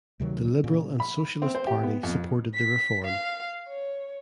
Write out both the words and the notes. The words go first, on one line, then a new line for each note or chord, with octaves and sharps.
The Liberal and Socialist party supported the reform.
D2 C3 D#3 F#3
A#2 C#3
B5
C4
C5
G4
B3
F2
B6
F5
C#5